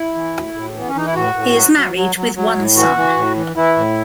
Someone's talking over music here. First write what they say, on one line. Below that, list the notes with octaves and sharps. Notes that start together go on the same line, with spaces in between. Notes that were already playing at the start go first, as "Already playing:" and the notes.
He is married with one son.
Already playing: E4
E3
A2
A2
E3 B3
C#4
E3 D#4
E4
A2 F#4
A2
F#3
F#3
F#3
F#3
F#3
A2
E3 F#4
E3
A2
E3
E3 E4
A2